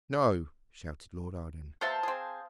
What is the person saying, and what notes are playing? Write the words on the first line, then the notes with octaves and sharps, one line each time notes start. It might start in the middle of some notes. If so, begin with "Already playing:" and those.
"No," shouted Lord Arden.
C3 B3 C5 E5 F5 A5
C4 G#4